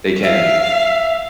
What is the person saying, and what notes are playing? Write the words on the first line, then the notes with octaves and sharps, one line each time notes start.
they can
E5 F5